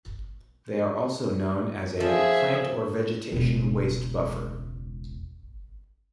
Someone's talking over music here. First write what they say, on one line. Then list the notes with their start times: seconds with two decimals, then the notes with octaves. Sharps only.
These are also known as a "Plant or Vegetation Waste Buffer".
2.00 F3 G#4 E5
3.32 E1 C#2